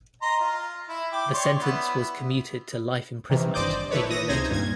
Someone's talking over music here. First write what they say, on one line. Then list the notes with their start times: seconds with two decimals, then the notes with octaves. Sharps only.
The sentence was commuted to life imprisonment a year later.
0.22 D#5 A#5 C6
0.40 F4
0.89 E4
1.12 G5 D6
1.34 C#5 D5 C6
1.61 B3 E4
3.30 C3 D#3 E3
3.54 G1 C5 D5 D#5 D6 G6
3.91 D#3 E4 A4 B4 C#5
4.10 D#6 A#6
4.29 C#2 C3 D#4 C5 G#6 A#6
4.49 G2 A#2 G#6